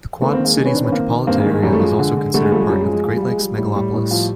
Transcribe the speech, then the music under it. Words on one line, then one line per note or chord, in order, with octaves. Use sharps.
The Quad Cities Metropolitan Area is also considered part of the Great Lakes Megalopolis.
D#3 A3 B3
A#3 C4
D#3
G#3 A#3
D#3 G#3
B3 C#4
D#3 C4 D4
B3 C#4
D#3 A#3 C4
D#3
G2 A#3 C4
G#3 A#3
D#3
G#3
F#2 G3
A3
F3 G#3
D3
D3
D3 G3 A3
G#3
F3 G3 A3
G#3
F#2 G3
G#3
F3
G#3
F3 G#3
G3
F3
G#3
F3 G3
A2 G3
A2 G3
A2
F3